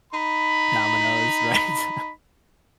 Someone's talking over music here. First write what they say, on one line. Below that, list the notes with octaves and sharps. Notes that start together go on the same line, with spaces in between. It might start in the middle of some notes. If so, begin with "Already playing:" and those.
Domino's, right?
D#4 B5